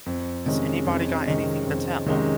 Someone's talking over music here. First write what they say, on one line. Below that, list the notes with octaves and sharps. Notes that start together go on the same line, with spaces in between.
Has anybody got anything to tell?
F2
C3 D#3 G#3 C#4
F2
C3 D#3 G#3 C#4
F2
C3 D#3 G#3 C#4